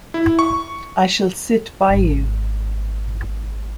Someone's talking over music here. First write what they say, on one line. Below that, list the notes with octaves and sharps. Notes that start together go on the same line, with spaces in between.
I shall sit by you.
E4
C#6
G#1 D4